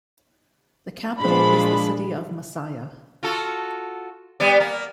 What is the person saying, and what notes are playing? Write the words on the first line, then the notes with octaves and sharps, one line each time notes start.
The capital is the city of Masaya.
A#2 F3 G#3 D4 B5
F4 F#4 A4
G3 B3 D5
A#3